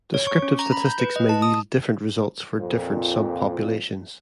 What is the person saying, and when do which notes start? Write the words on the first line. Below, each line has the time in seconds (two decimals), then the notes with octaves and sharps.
Descriptive statistics may yield different results for different subpopulations.
0.14 C#5
0.27 C#6
0.42 C#4
0.59 A#5
0.72 B5
0.85 G6
1.00 B4
1.16 D#5
1.29 A5
1.42 D#6
2.58 F2 A#2